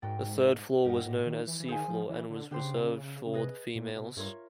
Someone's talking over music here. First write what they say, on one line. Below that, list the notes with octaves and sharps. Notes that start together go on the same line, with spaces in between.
The third floor was known as "C" floor and was reserved for the females.
G#2 F#4 A#4 D5 G5
G2 G4 A#4 D#5 F#5
A2
D#3
E3
E3
D#3 G#4 C5 F5 G#5
F3
E3
D3
D3 D4 G4 C5
C#3
C3
C#3
C#3
C3 G#4 B4 D#5
A#2
B2
G2 F4 A#4 C#5 E5